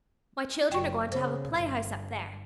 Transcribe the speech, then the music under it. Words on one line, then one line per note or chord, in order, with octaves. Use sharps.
My children are going to have a play-house up there.
F#1 G5 C#6
C#3 C5
G1